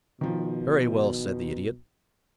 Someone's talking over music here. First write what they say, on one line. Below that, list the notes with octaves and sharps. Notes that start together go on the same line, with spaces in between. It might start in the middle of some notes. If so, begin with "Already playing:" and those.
"Very well," said the Idiot.
B2 D#3 F3